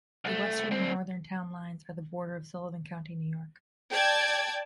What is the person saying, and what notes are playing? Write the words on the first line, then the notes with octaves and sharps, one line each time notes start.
The western and northern town lines are the border of Sullivan County, New York.
C2 A3
D2 C4
D5 G5 A5 G#6